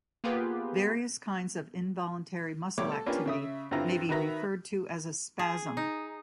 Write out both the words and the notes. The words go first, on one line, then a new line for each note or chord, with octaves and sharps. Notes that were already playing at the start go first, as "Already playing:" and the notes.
Various kinds of involuntary muscle activity may be referred to as a "spasm".
A#3 B3 F4 G4 G#4 B4
B1 G3 A3 C#5 D6
A4
A#3 C#4 D4 F4 G4 B4
C#3 E5 D#6
G2 D3 C4 E4 F4 A#5
D#3 F#4 B4 E5 A#5
G#4
D#4